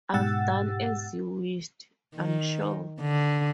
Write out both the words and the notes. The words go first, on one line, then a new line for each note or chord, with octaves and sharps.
I’ve done as you wished, I’m sure.
G#2 B2 G4 F#5 E6 A6
D#3
D3